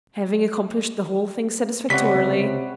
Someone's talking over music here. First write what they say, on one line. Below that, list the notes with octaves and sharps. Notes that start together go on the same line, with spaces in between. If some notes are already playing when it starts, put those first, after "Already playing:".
"Having accomplished the whole thing satisfactorily."
C#2 C3 G3 C#5 F#5 B6